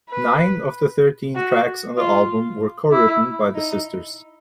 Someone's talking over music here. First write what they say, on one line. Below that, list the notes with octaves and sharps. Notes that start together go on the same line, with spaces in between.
Nine of the thirteen tracks on the album were co-written by the sisters.
B4
F#4
F4
E4
D#4